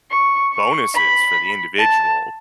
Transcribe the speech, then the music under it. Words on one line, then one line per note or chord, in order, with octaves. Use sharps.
bonuses for the individual
C#6
C#6
B5
A5